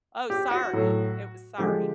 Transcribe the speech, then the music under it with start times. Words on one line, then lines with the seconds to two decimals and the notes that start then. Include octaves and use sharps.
oh, Sorry, it was Sorry.
0.30 G4
0.51 F#4
0.73 A2 F#3 A3
1.58 D3 F3 G#3 G4